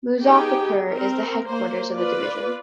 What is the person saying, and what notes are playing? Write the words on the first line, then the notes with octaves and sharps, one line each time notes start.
Muzaffarpur is the headquarters of the Division.
B3 D#4 G4 G#4 G5
C4 A#4
A#3 C5
F4 B4 D5